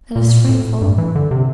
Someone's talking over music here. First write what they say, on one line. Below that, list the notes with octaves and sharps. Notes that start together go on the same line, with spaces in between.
That is frightful.
A#2
A2
G2
E3
D3
C3